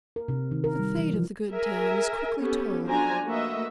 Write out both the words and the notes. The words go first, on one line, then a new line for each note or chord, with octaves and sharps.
The fate of the good town is quickly told.
A#4
C3
D#3
A#4
G3
E3
F3
G#4 A#4 E5 G#5
B3 C#4 G4 A4
F3 F#3 D4 C5 G#5 A#5
A3 A#3 F#4 B4 D#5 E5